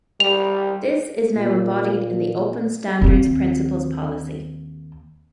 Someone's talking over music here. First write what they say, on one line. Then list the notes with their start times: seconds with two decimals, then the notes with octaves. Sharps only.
This is now embodied in the Open Standards principles policy.
0.20 G3 F7
1.36 A#2
3.02 D#2 C4